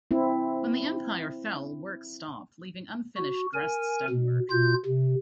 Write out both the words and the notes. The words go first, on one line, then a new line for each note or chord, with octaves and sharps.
When the Empire fell, work stopped, leaving unfinished dressed stonework.
C4 E4
F#4
A#4 G#5
B2
B2 F4 G6
C3